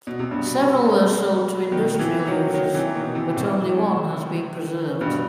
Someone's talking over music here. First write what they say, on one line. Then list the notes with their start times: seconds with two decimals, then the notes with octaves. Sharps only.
Several were sold to industrial users, but only one has been preserved.
0.07 B2
0.19 C3
0.31 G2 B2
1.72 B2 D#3
1.94 D#3
1.99 C3 E3
2.26 D#3 F#3
2.54 D#3 F#3
2.75 C3 E3
2.95 B2 D#3
3.15 C3 E3
3.36 A2 C3
5.01 G2 B2